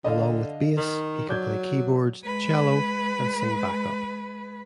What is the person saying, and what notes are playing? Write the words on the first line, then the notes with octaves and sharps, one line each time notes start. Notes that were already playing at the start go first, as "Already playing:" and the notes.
Along with bass, he can play keyboards, cello, and sing back up.
D3 D#5 F5
D#3 A#4
F#3 D5 G6 G#6
G#3 B4